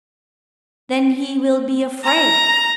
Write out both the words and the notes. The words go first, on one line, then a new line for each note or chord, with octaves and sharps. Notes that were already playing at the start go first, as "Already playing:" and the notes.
Then he will be afraid!
A#5